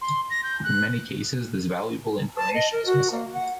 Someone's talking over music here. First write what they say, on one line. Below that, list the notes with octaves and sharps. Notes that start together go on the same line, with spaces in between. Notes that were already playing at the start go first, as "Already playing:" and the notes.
In many cases this valuable information is missing.
C6
A#6
G6
F#6
A5
D#5
A#4
F#4
A#3
F#5